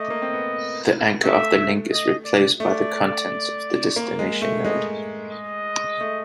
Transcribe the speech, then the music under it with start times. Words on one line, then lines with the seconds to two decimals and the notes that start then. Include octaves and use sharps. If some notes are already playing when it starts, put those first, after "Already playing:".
The anchor of the link is replaced by the contents of the destination node.
Already playing: A3 D#5
0.10 A#3
0.22 C4
0.33 B3
1.24 A3 E5
1.92 D#5
2.25 D5
2.60 A3 D5
3.96 A#3
4.19 G#3
4.42 A3
4.64 G#3 D#5
5.33 D#5
6.01 A3